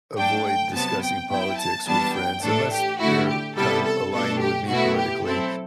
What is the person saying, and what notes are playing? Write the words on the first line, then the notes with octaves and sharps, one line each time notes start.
a avoid discussing politics with friends unless they're kind of aligned with me politically,
F#3 A3 D4 G5
G5
C3 F#3 B3 A5
G5
F#3 B3 E4 G5
A5
E3 G3 B3 D4 A5
G5
A2 E3 A3 D4 A4
G4
D3 A3 E4 F#4
G4
C3 G3 B3 E4 A4
A4
B2 A3 D4 A4
G4
B2 A3 E4 F#4
G4
F#3 C4 E4 A4